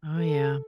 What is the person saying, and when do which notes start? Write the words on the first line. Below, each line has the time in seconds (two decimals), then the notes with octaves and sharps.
Oh, yeah.
0.17 A4